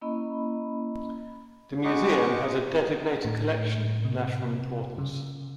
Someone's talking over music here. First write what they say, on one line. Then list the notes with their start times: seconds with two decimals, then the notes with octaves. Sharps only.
The museum has a Designated Collection of national importance.
0.01 A#3 C#4 E4 D#5 B5
1.84 G#3 D#4 F#4 C#6 D6
3.24 A2
4.05 C3
4.98 C#3